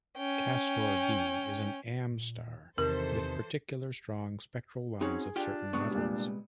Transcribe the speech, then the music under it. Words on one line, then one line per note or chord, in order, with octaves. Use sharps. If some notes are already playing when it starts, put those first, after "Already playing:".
Castor B is an Am star, with particularly strong spectral lines of certain metals.
C#4 G5
A#2
E2 C3 D#3 E3 A4 A#4 C5
C4 C#4 D#4 F#4 G#4
D4 F4 G4 G5
C3 G#3 B3 C#6
A#2 G3